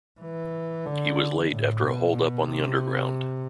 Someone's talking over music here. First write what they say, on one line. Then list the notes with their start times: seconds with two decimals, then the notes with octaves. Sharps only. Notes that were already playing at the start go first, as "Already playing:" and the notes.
He was late after a holdup on the Underground.
0.20 E3
0.86 D3
1.49 A2
1.82 B2
2.13 B2
2.45 C3